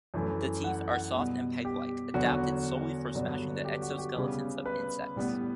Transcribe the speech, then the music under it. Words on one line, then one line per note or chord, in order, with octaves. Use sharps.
The teeth are soft and peg-like, adapted solely for smashing the exoskeletons of insects.
F#2 E3 A3
F#5
F#5
B2 G3 B3
G4
E2 D3 F#3 B3 F#4
G2 D3 F#3 B3
G4
F#4
G4
C#3 G3 B3
B4
A2 G3 B3